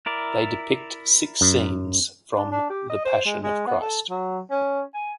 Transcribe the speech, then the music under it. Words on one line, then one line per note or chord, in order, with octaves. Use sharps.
They depict six scenes from the "Passion of Christ".
E4 A#4 D5
F#2
D4
D4
G4
D#5
C5
G#3
G#3
B3
A4
F#3
C#4
G#5